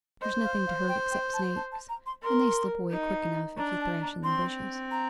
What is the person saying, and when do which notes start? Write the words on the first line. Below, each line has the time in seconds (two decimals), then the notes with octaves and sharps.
There's nothing to hurt except snakes--and they slip away quick enough if you thrash in the bushes.'
0.21 C5 D#5
0.43 F5
0.67 F5
0.88 G5
1.11 G5
1.33 A5
1.56 A5
1.72 A5
1.89 A#5
2.06 C6
2.23 A#4 C6
2.90 D#4
3.57 D4 A#5
3.80 A5
4.02 A#5
4.24 C4 C6
4.91 A#5